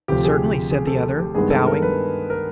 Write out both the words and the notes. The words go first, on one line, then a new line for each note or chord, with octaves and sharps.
"Certainly," said the other, bowing.
D2 C3 F3 G4
G#4
G#4
A4
G4
G2 D#3 G#3 B3 G#4
A4
A#4
B4
A#4